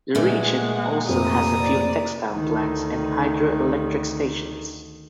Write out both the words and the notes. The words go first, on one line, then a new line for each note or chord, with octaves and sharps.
The region also has a few textile plants and hydroelectric stations.
A#2 E3 G#3 A3 B4 F#5
F1 F2 A#3 A#5 D#6
D5
D2 D#3